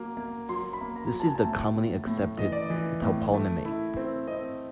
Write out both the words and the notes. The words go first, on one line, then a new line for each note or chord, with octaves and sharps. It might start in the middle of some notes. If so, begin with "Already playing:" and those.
This is the commonly accepted toponymy.
Already playing: F#3 A#3
A#3
F#3 C6
B5
A#3
A#5
F#3
A5
G#5
A5
A2
A2
A2
E3 D#5
D5
E3 D#5
A2
A3
E4
C4
C4 D#5